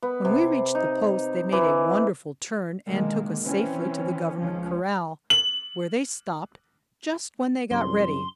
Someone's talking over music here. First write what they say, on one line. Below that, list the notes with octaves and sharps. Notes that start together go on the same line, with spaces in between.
When we reached the post they made a wonderful turn and took us safely to the government corral, where they stopped, just when they got ready.
B3
C3
D#4
E3
B2 D3 D#3 G#3 A#3
E3 C4 C#4
C#2 F3 C#4
F#7
C2 F#2 C6